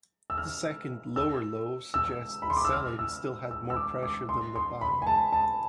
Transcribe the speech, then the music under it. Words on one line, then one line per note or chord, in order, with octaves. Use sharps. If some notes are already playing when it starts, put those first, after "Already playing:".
The second lower low suggests that selling still had more pressure than the buying.
E6
F6
E6
E6
B5
C6
D6
E6
F6
E6
E6
E6
D6
D6
C6
C6
B5
G#5
A5
A5